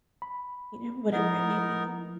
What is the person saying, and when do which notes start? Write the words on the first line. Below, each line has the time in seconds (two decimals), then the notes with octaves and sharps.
you know, whatever it may be.
0.22 B5
1.12 F3 B3 D#4 E4 A#4